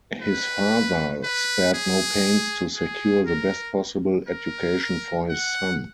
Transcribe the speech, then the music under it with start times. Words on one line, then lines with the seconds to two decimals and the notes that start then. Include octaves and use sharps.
His father spared no pains to secure the best possible education for his son.
0.22 B4
1.24 B4
1.74 G#4
2.76 G#4
3.26 A#4
4.28 A#4
5.29 F#5